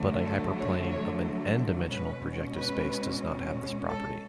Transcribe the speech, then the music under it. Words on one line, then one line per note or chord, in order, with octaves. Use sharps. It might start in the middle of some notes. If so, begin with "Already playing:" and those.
But a hyperplane of an "n"-dimensional projective space does not have this property.
Already playing: D3 F#3 A3
A4
C#5
C#5
B2 G#3 C#4 B4
B4
A4